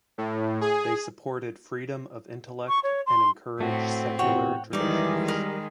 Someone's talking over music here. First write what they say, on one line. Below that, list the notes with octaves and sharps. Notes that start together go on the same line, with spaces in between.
They supported Freedom of intellect and encourage secular traditions.
A2
G#4
C#6
C#5
C6
A2 A3 C4 F#4
E2 C3 F#4 C#5 F#5 G5
E2 D#3 E3 G3 G#3 D#4 D5
A#4 B5